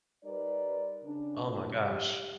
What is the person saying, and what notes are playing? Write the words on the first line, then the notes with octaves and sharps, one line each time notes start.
Oh my gosh.
G3 D#4 A#4 B4 D5
C#3 D4
A2 C3
G3